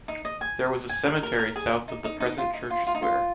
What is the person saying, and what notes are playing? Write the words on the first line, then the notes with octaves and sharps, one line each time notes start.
There was a cemetery south of the present church square.
D#4
D#5
G#5
G#5
A#4
A#4
A#4
G#4
D#4
D#4
D#4
F4
D#4
F4
F4
D#4
F4